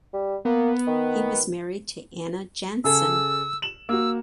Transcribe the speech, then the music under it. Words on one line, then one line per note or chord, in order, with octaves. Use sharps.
He was married to Anna Jansson.
G3
A#3 B3
D#3
C#3 G#4 A4 E6
E7 F#7
A#3 F#4 E6